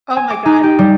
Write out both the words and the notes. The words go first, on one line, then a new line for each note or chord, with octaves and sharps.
Oh my god.
G#5
D6
D#4
G4
G3